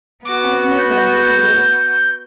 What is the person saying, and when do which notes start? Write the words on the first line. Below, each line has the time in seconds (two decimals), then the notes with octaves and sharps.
I have no doubt that he will.
0.25 B3 F#4 D6
0.78 G6